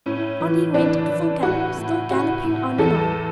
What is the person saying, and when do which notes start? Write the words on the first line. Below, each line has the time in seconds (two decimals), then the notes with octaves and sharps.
On he went at full gallop, still galloping on and on.
0.06 A2 C#4
0.41 E3
0.74 E3 D4
1.09 E3
1.43 A2 F#4
1.77 A2
2.11 A2 F#4
2.44 A2
2.78 E2 A4